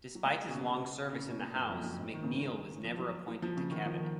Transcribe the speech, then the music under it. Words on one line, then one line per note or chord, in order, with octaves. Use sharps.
Despite his long service in the house, McNeil was never appointed to cabinet.
F#3
G#3
B2
C#3
C#3
B2
A#2
F#2
F2
F#2
G#2
D#3
C#3
D#3
F3
F#3
F#3
F3
C#3
D#3
F3
D#3